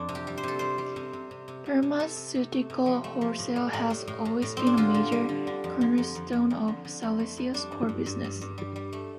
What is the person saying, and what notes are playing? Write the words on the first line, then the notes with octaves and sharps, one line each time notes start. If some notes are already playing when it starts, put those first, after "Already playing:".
Pharmaceutical wholesale has always been a major cornerstone of Celesio's core business.
Already playing: F2 D4
C3
G4
G3
C5
C3 A4
G3 C5
G3
C3
C3
C3
C3
C3
C3
C3 A4
C3
C3
A3
C3
F3
A3
F3
A2
G3
A2
A2
A2
A2
A2
G3 C4
D4
D3 F4
D3
G3
D3
D3
F2
D3
F2
F2
F2
F2
D3
D3
F2
A3
F2
G3 D4
G2
G2
G2
G2
G2
G3
G3
A3